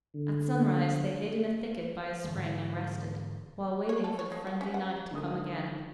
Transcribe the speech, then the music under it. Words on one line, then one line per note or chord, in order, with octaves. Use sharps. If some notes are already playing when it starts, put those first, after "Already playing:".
At sunrise they hid in a thicket by a spring and rested, while waiting for the friendly night to come again.
D3
G#2 D3 E3 G#3
C#5
A4
C#5
G#3
F#4
C#4
F#5
D3 G#3 D#4 A#4 D#6